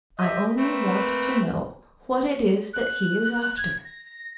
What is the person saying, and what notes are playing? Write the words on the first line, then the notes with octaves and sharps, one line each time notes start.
I only want to know what it is that he is after.
G4 D#5 E5
A3 A#3 C4 B4
F#6
G#6
A#6